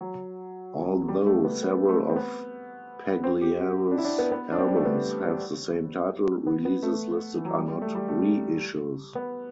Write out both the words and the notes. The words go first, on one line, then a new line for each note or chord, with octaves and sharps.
Although several of Pagliaro's albums have the same title, releases listed are not reissues.
F#3
G3
A3
B3
B3
A3
C4
B3
C4
G4
F#4
D4
E4
D4
B3
B3
D4
C4
G3
A3
B3
B3
B3
A3
E3
F#3
G3
G3
A3
G3
A3
B3